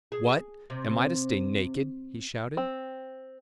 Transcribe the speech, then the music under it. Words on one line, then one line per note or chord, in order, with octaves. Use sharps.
"What, am I to stay naked?" he shouted.
G#4
C3
C4